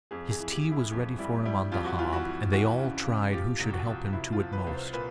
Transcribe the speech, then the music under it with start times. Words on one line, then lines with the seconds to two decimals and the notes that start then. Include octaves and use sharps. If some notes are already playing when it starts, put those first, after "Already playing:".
His tea was ready for him on the hob, and they all tried who should help him to it most.
0.11 F2 G#4
0.31 G#4
0.39 E3
0.51 G4
0.65 E3
0.71 E4
0.92 F2
1.19 G3 E4
1.45 G3 E4
1.72 F2 F4
1.85 F#4
1.99 E3 F4
2.13 F#4
2.25 E3
2.52 E3 F#4
2.79 C#3
3.05 C#3
3.33 F3 G4
3.59 C2
3.73 F#4
3.86 F3
4.13 C2 E4
4.32 F4
4.39 F3
4.52 B4
4.64 C2 B4
4.74 C5
4.93 A#2 B4